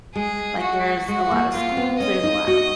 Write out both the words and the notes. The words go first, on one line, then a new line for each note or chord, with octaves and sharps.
Like, there's a lot of schools, there's a lot of
G#3 G#4
F#4
G#3 F#4
A#3
A#3 F4
B3
C#4 D#5
D#4
F#4